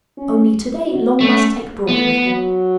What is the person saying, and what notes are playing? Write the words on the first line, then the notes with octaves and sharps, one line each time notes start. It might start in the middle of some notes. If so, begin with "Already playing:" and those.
Only to-day, Long must take Broad with him.
C#4
F#4
A3 C#4
A3 B3
F#3